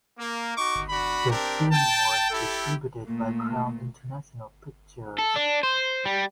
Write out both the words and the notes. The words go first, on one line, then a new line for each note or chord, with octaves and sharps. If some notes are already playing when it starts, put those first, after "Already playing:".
The film was distributed by Crown International Pictures.
A#3
D#4 F#4 C#6 D6
D4 F#4 B5
C4 D4 G4 A#4
G5 A5
E4 G4 A4
A#2 A3 A#3
A4
D4
C5
G3